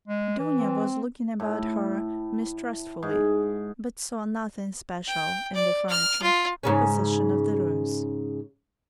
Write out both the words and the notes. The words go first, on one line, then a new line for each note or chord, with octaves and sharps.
Dounia was looking about her mistrustfully, but saw nothing special in the furniture or position of the rooms.
G#3
E3
C4
A2
G#2
G5
D5
F6
F4
G#2 C#3 C#4